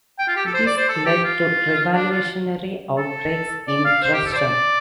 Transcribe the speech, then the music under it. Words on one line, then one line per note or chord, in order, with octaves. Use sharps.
This led to revolutionary outbreaks in Dresden.
G5
F4
G4
A4
C5
D5
C5
A4
G4
F4
D4
F4
A4
D5
F5
C5
G4
A4
C5
D5